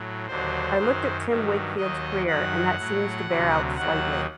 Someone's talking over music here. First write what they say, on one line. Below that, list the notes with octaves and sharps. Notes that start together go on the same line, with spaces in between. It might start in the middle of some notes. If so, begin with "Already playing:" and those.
I looked at Tim Wakefield's career and that seems to bear out slightly.
Already playing: A2 F#3
D#2 D3 F#3 C5
F#2 D#3 F#3
G2 D#3 F#3
D#2 D#3 F#3 D#5
F#2 D#3 F#3 F#5
A2 F#3
D2 C3 F#3
D#2 D#3 F#3 F#5